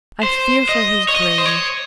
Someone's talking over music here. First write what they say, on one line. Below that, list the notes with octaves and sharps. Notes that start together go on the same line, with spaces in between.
I fear for his brain.
C5
D#5
C#5
D#5
C5
C#5